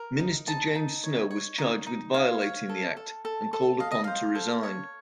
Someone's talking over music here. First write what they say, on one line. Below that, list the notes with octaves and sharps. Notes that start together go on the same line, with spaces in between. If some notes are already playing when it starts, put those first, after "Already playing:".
Minister James Snow was charged with violating the act, and called upon to resign.
Already playing: A#4
D#4
D#4 A5
D#4
C#5
C#5
D#4
D#4
C#5 F5
C#5
A4
A4
A4
A4
D#5 F5
D#5
C5 F5
A4
C#5